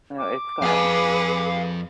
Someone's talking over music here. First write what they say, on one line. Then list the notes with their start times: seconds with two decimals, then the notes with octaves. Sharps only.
No, it's them.
0.18 D6
0.62 F2 G#4 B4 F5 G#5